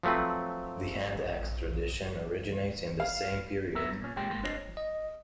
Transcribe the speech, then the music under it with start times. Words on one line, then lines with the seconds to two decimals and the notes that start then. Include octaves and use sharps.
The hand-axe tradition originates in the same period.
0.03 F3 F#3 A3 C4 B4
3.00 F5
3.75 F#3 B3 A#4 E5
3.90 G2
4.02 A#2 C#4
4.17 A#2 G#3 G4 G5 C6
4.30 G#2 A#3 C6
4.43 D4 C5 C#5 D#5
4.77 D#5